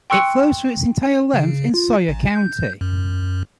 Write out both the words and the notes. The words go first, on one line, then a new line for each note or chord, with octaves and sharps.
It flows for its entire length in Sawyer County.
G5 C6 C#6 E6 F#6 C#7
C#3
F4
A1
G6
F#2